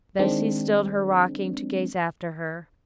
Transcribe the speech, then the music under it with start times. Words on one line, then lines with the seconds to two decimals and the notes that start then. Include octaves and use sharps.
Bessy stilled her rocking to gaze after her.
0.19 D#3 G#3 C4 D4